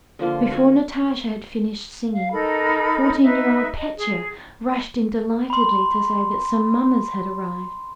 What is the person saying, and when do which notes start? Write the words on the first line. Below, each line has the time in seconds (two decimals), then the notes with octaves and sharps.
Before Natasha had finished singing, fourteen-year-old Petya rushed in delightedly, to say that some mummers had arrived.
0.19 D3 F3 A#3 F4
0.51 F#4 F#5 G#5
2.13 F5
2.32 D#4 A4 A#4 B5
3.23 D#4 B4 E5
3.77 D#5
3.98 G#4
5.50 B5 C6